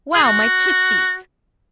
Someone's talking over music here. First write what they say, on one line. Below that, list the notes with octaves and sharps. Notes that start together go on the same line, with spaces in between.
Wow, my tootsies!
G#4
F#4